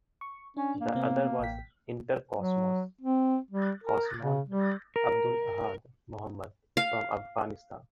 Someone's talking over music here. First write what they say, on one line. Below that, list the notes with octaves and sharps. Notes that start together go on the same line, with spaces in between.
The other was Intercosmos cosmonaut Abdul Ahad Mohmand, from Afghanistan.
C#6
C#4 D4
A#3
C3 B3 C4
A1 G5 B6
F#3
C4
G3
A#4
C#3
G3
A#4
F5